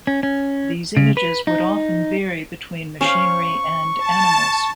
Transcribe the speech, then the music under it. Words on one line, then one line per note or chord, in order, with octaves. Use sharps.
These images would often vary between machinery and animals.
C#4
C#4
C#3
B4
D#4
C#4 C5 F5 C#6
A5